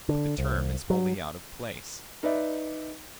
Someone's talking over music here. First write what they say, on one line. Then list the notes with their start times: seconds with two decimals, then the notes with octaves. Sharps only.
But the term is wholly out of place.
0.09 D3
0.38 C2
0.90 F#3
2.23 D#4 B4 D5 E5